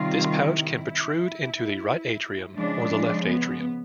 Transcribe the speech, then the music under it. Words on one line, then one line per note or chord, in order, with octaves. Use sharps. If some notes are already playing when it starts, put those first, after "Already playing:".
This pouch can protrude into the right atrium or the left atrium.
Already playing: C3 D#3 G3 F4
E4
C#3 F3 G#3 D4
B3